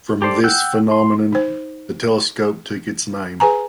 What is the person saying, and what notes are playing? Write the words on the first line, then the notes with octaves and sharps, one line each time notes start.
From this phenomenon the telescope took its name.
G4 A4 C5 D5
F#5 G5 E6 F#6 G6
C6
D#4 C5
G#4 B4 G#5 A#5